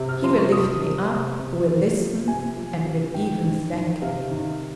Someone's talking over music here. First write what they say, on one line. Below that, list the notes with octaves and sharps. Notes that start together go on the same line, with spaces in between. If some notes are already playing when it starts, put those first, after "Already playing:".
He will lift me up, will listen, and will even thank me.
Already playing: C3
F6
F3 C6
C#6
C3 D#6
C3
C3
C3
C3
F3
C3 G#5
F3
C3
D#3 G5
D#3
D#3
C3 F5
D#3